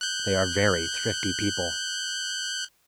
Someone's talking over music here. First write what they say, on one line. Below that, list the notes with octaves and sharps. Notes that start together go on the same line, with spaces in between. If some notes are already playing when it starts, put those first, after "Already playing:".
They are very thrifty people.
F#6 G6